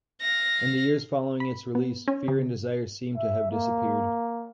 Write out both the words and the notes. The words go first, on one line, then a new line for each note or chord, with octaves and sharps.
In the years following its release, "Fear and Desire" seemed to have disappeared.
F5 A#6
B5
B3
C#4
C#3
E5
A#3